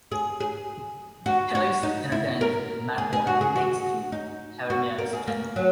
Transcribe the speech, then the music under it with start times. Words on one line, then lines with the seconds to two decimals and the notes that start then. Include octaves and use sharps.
He lives in a tent with McWatt next to Havermeyer's tent.
0.12 G#4
0.40 G#4
1.26 F#4
1.55 F#4
1.83 D#4
2.12 E4
2.41 A#4
2.98 G#4
3.13 G#4
3.27 F#4
3.41 G#4
3.56 F#4
4.12 D#4
4.70 F#4
4.98 A#4
5.13 G#4
5.28 A#3
5.56 F#3